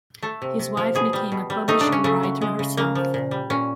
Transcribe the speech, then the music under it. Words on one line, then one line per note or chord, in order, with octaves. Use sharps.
His wife became a published writer herself.
A3 A4
C3
C3
F3
B2 G#4
G3
B2
G3
A3 D#4
D4
C#3
C#4
C#3 A3
F#3
G#3
C#3
C#3 A#3
F3
A#2
G3
A#2 C#4